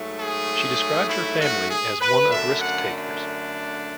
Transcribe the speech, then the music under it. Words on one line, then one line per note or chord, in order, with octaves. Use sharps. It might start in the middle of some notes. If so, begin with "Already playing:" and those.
She described her family as one of risk takers.
Already playing: G#2 F#3 A3
G#4
E4
F#4
G#4
B4
F#2 D3 A3 D4 E5
F#5